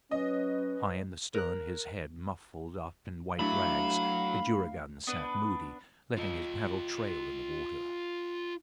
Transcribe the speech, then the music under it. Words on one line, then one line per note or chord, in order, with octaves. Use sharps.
High in the stern, his head muffled up in white rags, the juragan sat moody, letting his paddle trail in the water.
F#3 C#4 B4 D#5
A#4 F#6
F#3 A3 D4 E4 F5 B5
B3 D4 B4
F4 D#5